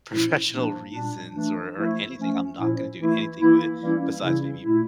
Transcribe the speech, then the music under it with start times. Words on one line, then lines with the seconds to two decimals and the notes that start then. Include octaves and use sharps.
professional reasons, or or anything. I'm not going to do anything with it, besides maybe
0.11 A#2 F3 C#4 E4
0.51 A#2 F3 A#3 D4
0.93 A#2 G3 D4
1.34 E3 A3 D4
1.75 F3 A3 E4
2.17 F3 A3 C#4
2.58 A#2 F3 C#4 E4
2.98 E3 A3 E4
3.40 E3 A#3 E4
3.81 E3 G3 A#3 C#4 E4
4.22 C#3 E3 G3 C#4 E4
4.63 A#2 A3 E4